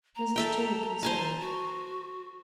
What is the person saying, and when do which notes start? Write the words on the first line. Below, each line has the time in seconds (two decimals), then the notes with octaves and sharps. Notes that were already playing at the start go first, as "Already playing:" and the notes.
Mrs. Toomey considered.
0.16 A#5
0.36 A4 E5 G5
1.03 C5 G#5 A5
1.40 F#4